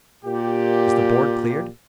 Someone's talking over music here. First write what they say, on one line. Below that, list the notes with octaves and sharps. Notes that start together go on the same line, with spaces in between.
"Is the board cleared?"
A#2 G4